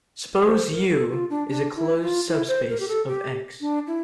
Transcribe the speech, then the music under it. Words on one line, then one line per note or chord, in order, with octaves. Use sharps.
Suppose "U" is a closed subspace of "X".
D5
C5
A#4
A4
F4
D4
D4
E4
F4
E4
C5
A#4
G4
A4
G4
D4
E4